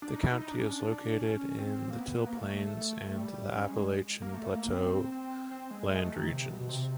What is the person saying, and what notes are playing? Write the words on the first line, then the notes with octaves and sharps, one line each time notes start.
The county is located in the Till Plains and the Appalachian Plateau land regions.
D4
D#4
E4
D#4
D#4
D4
C#4
D4
C#4
C4
A#3
B3
A#3
A3
G3
C#4
G#3
A#3
A3
A#3
C4
C4
C4
G#3
G#3
A3
D#3
C3
B2
C3